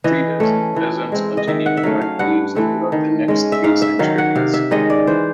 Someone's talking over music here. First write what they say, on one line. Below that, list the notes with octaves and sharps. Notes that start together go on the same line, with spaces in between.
Traders and peasants continued to accrete throughout the next three centuries.
E3 D#5
A3 C#4
E3
G#3 C4
D#5
D#3 E5
F#5
E5
F#3 A3 C#4 F5
F5
G2 F#5
E3 A3 C4
D#3
G#3 C#4
E5
G#2 F5
E5
D#3 F#3 F5
F#5
C3 F5
E5
D#3 G#3 C#4 D#5
D5
E3 C5